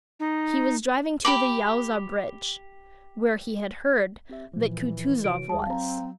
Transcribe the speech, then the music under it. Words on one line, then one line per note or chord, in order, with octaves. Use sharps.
He was driving to the Yauza bridge where he had heard that Kutuzov was.
D#4
G4 B5 D6
C4 G4 E5
A#2 E3 F3
C3 F#4 C#5 D7
D2 G3 G#3 G#4 A5
F#3 C4 F5 A#5